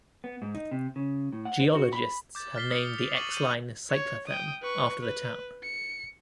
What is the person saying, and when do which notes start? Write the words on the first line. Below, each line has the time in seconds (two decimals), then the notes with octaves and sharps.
Geologists have named the Exline cyclothem after the town.
0.24 B3
0.42 G#2
0.54 D#4
0.71 C3
0.96 C#3
1.33 A2
1.45 F#5
1.60 C5
1.75 F#4
1.93 B5
2.35 D6 G6 A6
2.56 F6 A6 B6 C7 G7
2.70 D#6 C#7
2.98 F7
3.15 C#6 D6 A6 B6 D#7 F#7
3.34 G6 D#7 F#7 G7
3.90 C#5
4.27 G5 D#6
4.62 B4 C#6
5.01 B4
5.63 C#7